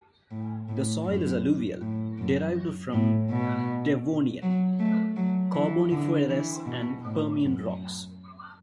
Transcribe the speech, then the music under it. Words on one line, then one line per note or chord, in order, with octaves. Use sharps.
The soil is alluvial, derived from Devonian, Carboniferous and Permian rocks.
A2
A2
F#2
A2
F#2
A2
B2
F#3
A3
F#3
E3
D3
E3
B2
A2
F#2